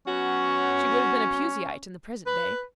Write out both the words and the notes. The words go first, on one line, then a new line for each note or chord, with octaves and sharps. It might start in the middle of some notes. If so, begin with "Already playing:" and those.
She would have been a Puseyite in the present day.
F#3 B3 C#4 F#4
B4